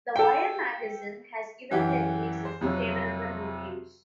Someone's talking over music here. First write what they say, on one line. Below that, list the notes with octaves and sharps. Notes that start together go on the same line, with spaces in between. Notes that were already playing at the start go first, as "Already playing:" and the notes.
"The Wire" magazine has given their releases favourable reviews.
A4 G5
F#2 E3 F#4 G4
C5
F2 C3 F#3